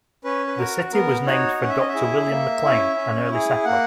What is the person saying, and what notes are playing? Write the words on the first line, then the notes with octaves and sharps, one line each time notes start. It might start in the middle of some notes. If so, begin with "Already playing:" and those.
The city was named for Doctor William McLean, an early settler.
C#4 B4
B4
F#4 A#4
B3 A#4
D#4 F#4 C#5
C#4 F#5
E5
D#5
E5
E4 G#4
A#3
C#4 E4
C#4
E4 G#4
A#3 F#5